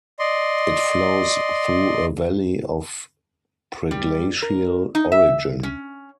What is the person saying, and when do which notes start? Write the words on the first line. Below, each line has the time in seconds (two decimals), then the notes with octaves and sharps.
It flows through a valley of preglacial origin.
0.19 D5 D#5 C6
3.91 G3
4.42 A#4
4.95 D#4
5.12 E5
5.63 C#4